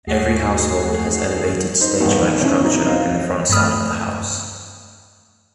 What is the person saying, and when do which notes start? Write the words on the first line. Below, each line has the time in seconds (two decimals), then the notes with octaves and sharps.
Every household has elevated stage like structure in the front side of the house.
0.07 D#2 A3 F#4 G#4 C7
1.81 D#4 C5
2.01 E2 G2 A#2 D#3 B3
2.41 B2 C#4 E4 C5
2.64 F#3 D#4
2.83 C4 D#5 F5
3.49 G2 A3 B5 D#6 F6